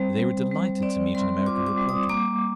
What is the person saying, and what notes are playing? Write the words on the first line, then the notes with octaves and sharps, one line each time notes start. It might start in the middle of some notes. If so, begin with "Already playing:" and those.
They were delighted to meet an American reporter.
Already playing: G3 C4 C5
G3
G3
C4 D5
G3 C6
F4 D6
D6
G3
D#6
A#3 D6